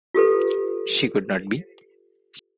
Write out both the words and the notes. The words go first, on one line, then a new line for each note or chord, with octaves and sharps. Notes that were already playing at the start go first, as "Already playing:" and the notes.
She could not be.
F4 G4 A4 B4